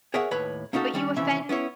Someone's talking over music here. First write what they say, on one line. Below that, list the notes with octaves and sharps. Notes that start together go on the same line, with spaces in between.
But you offend
G#4 A#4 C#5 E5 F#5 G#5
D#2 A2 B4 C#5 B5
A#3 C#4 D#4 F#4 A4
D#3 G3 C#4
D#2 C3 E3 C#4 E5
B3 C#4 E4 C#5